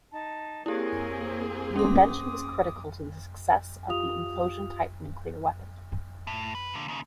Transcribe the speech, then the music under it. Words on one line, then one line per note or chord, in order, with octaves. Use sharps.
The invention was critical to the success of the implosion-type nuclear weapon.
D#4 A5
A#3 C4 E4 G4 G#4 A#4 C#5 G#5
C#4 C6 D6 D#6
F4 G4 F5 D#6 F7
A2
B4
A#2 D3
D#2 C#3